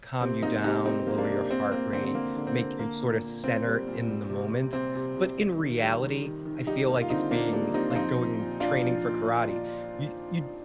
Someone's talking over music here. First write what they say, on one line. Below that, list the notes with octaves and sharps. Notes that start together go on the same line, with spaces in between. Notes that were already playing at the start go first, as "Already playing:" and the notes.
calm you down, lower your heart rate, make you sort of center in the moment. But in reality, I feel like it's being like, going training for karate. Y y
C3 C4
A#3 C4 D#4
C3 D#4 G4
G3 C4 D#4
A#3
A#3 D4
C3
A#3 C4
A#3 C4
D3 C4
C4
A#3
D3
C4
A#3
A#3
A#2
A#2
A#3 C4
G3
A#2
G3
C3
C3
C3 C4
C3
C3
G3
D#3
G3
D#3
D#3
D#3
G3 D#4 G4
A#3
F4
D3 C4 D#4
A#3 D4
G3 A#3 D4
G3 C4 D#4
F4
F3 C4 D#4
F3
A#2
A#2 D4 F4
F3
A#2